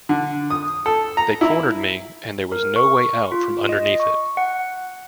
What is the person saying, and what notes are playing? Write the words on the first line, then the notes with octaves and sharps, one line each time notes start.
They cornered me, and there was no way out from underneath it.
D3
D#6
A4
A#5
E4
A#4
C#6
F4
D#5
C#6
F#5